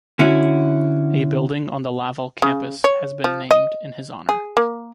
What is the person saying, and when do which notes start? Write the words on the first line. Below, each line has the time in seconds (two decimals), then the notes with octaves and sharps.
A building on the Laval campus has been named in his honour.
0.19 D3 C#4 E4 F#4
2.42 C#3
2.84 C#5
3.24 F3
3.51 D#5
4.29 G#4
4.57 A#3